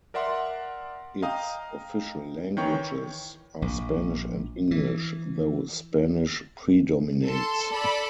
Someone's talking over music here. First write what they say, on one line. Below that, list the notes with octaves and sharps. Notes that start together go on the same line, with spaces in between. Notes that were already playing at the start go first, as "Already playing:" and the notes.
Its official languages are Spanish and English, though Spanish predominates.
A#4 D5 E5 F#5 C6
D#5 F5 G5 A#5 D#6
D#3 E3 C#5 G5 C#6
A#1
E3
A4 C6
A4 D5 B5